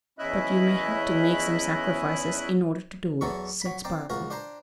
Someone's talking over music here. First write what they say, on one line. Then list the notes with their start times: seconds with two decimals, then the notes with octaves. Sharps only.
"But you may have to make some sacrifices in order to do it," said Spargo.
0.19 E2 C#4 E4 D#5 E5 F#6
3.21 E2 F#3 A4 A#5 C#6
3.62 F#3 B5
3.84 C4 D5 G5 A#5
4.10 C#2 F3 F#4 A#4 A#5
4.30 D4 C5 G5 A#5